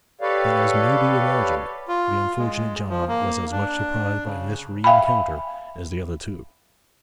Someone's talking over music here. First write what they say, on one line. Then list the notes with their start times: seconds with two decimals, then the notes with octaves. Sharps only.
But, as may be imagined, the unfortunate John was as much surprised by this rencounter as the other two.
0.21 G4 A4 B4 C#5 D5 F5
1.88 F4
2.38 G#3
2.89 F3
3.08 A#3
3.52 D4
4.24 C#3
4.84 E5 F5 G5 G#5 B5